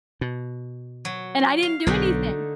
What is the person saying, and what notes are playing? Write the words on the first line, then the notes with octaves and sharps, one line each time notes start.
And I didn't do anything.
B2
F#3
F5
B1 D3 A3 D#4